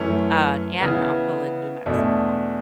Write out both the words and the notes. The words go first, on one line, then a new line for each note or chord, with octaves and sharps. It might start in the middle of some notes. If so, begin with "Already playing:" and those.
mm an aunt and uncle in New Mexico.
Already playing: F#2 E3 A3 C#4
C#3 E3 B3
E2 B2 A3 D4